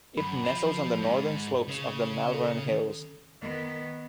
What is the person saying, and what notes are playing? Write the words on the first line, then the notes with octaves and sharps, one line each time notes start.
It nestles on the northern slopes of the Malvern Hills.
F#2 B5
F3 C5
G#2
C#3
A4
D#3 B3